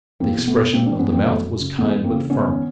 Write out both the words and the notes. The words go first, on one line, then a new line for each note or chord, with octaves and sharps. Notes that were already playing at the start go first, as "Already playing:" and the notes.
The expression of the mouth was kind but firm.
E2 A#3 C4
B2
A3 B3
B2
G#2 A#3 C4
C4 D4
E3
B3 C#4
E3 A#3 C4
F#2 A3 B3
F#2
C#3
E2 A3 B3
E2
A#3 C4
C#3
G#2 B3 C#4
D#3